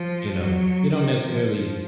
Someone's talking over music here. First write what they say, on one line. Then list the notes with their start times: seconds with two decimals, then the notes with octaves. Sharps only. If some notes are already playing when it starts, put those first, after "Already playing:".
you know, you don't necessarily
Already playing: F3
0.37 F#3
0.94 D#3
1.23 F3
1.51 F3